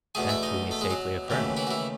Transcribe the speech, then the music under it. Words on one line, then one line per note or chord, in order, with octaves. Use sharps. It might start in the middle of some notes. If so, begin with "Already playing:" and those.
That we may safely affirm.
E2 B2 A3 G#4 G#5
E4 E5
D#4 D#5
A3 A4
G#3 G#4
F#3 F#4
D#2 C#3 E3 A3
E3 E4
F#4
E3 E4